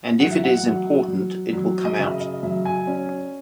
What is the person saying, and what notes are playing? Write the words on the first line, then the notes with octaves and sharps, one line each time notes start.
And if it is important it will come out.
F#3 F#5
E5
F#5
F#3
F#3
F#3
D#5
C#3 E5
D#5
F#3 E5
G#5
C#4